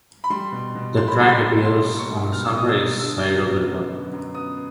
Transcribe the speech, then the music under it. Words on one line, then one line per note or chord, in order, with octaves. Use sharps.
The track appears on the "Sunrise" side of the record.
B5
G3 C6
B2
B2
A#3 C6
B5
G3 A#5
B5
B2
B2 C6
A#3
C#6
G3
B2 F6
E6
B2 D#6
E6
A#3
D3 E6
F#2
B3
F#3
D3
F#2
B3 D#6